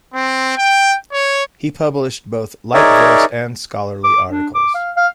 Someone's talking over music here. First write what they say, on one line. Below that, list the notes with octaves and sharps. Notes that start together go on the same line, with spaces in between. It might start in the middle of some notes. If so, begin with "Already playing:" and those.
He published both light verse and scholarly articles.
C4
G5
C#5
D#4 G#4 A#4 C#5 D5 E5
D6
D4
D6
F5
F5